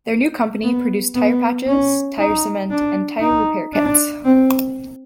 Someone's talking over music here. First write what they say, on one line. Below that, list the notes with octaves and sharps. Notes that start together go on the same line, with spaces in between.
Their new company produced tire patches, tire cement and tire repair kits.
B3
B3
C#4
D#4
D4
D#4
D4
C4